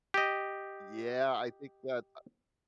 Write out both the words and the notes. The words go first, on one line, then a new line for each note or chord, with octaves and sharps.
Yeah, I think that, uh
G4 D#5